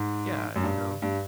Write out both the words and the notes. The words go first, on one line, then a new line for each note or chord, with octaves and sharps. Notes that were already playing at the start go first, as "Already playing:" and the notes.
yeah, you know?
Already playing: G#2
F#2
G2
G2